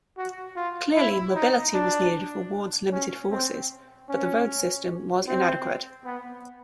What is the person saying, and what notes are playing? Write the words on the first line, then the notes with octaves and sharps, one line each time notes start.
Clearly, mobility was needed for Ward's limited forces, but the road system was inadequate.
F#4
F4
E4
D#4
D4
C#4
C4
C#4
C4
B3